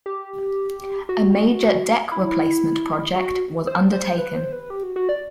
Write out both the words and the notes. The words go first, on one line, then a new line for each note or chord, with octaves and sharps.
A major deck replacement project was undertaken.
G4
F#4
E4
F#4
C5
C5
B4
C5
B4
G4
F#4
F#4
D5